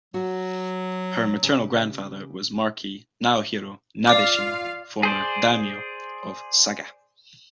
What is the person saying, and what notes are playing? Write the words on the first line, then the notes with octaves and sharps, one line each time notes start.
Her maternal grandfather was Marquis Naohiro Nabeshima, former "daimyo" of Saga.
F#3 F#4
C#3 G4
F4 D5 F5 D6
G#4 C5 D5